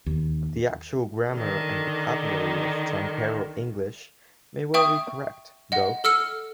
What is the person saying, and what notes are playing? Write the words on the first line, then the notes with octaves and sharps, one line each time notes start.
The actual grammar and vocabulary of "tankero English" may well be correct, though.
D#2
D3 D#3
E5 G5 C#6 D#6
D#5 F#5
A4 E6 F6 C#7